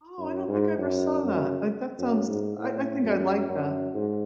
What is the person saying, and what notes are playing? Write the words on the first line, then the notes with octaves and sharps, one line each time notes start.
Oh, I don't think I ever saw that. I that sounds I I think I'd like that.
F#2
G#2
F#2
F#2
F#2
G#2
A2
F#2
F#2
G#2